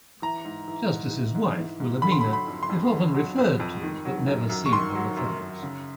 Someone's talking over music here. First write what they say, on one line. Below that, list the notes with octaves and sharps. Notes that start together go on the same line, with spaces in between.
Justice's wife, Wilhelmina, if often referred to but never seen in the films.
E3 A#5
G#2
E3
G#2
E3
G#2
E3
G#2
D3 B5
C6
B5
F#3
B5
F2
C6
F2
D3
F#3
F2
F2
D#3
F#3
F#2
F#2
C#6
D#3 C6
F#3
F#2
F#2
C#3